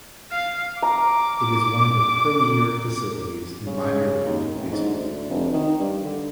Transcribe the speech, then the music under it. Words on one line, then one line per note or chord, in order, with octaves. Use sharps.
It is one of the premier facilities in minor league baseball.
F5
A#5 D6
C#3
D#2
A1
G#2
D2
F1
D#3
G2
D3